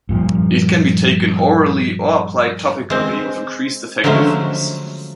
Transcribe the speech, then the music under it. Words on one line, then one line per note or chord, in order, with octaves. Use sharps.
It can be taken orally or applied topically with increased effectiveness.
G2 A#2 F3
G#3 C4
D3 F3 F#3 G#3 A3 C#4